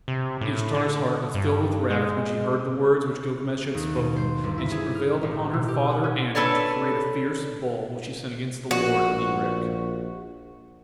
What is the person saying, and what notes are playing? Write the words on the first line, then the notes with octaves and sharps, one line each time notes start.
Ishtar's heart was filled with wrath when she heard the words which Gilgamesh had spoken, and she prevailed upon her father Anu to create a fierce bull which she sent against the lord of Erech.
C3
A2
D3
G2
G#3
D#2
B2
C5
G1
E4
G#4
F6
A1
B2
G4
F#5
C#4
D4 A4 B4 C#5 D5
A#1 F#4